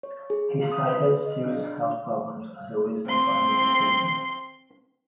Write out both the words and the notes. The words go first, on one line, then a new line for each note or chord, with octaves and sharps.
He cited serious health problems as a reason for his decision.
C#5
G#4
F5
D#6
B4
D#5
D4
C4 C6